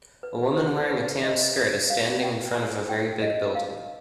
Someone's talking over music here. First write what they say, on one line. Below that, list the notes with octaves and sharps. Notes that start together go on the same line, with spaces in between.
A woman wearing a tan skirt is standing in front of a very big building.
B4
C5
B4
D#5
F5
G5
G#5
G5
D#5
F5